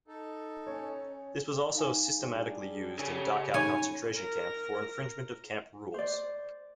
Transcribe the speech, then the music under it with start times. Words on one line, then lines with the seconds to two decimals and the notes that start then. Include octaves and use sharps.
This was also systematically used in Dachau Concentration Camp for infringement of camp rules.
0.08 D#4 A4
0.67 C#4 C#5
1.75 D#4 F5 G#5
2.17 G3 D4 G#4
2.99 C#3 G4 A4 G#5
3.54 D#4 C#5 G#5 B5
4.16 A#4 A#6
5.94 C5 D5